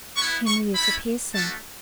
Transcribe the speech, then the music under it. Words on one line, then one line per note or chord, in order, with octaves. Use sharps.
"Henrietta Pierson."
B3 E4 C#6
C#6
A3 C#4 E4 B5
A3 D4 F#4 A5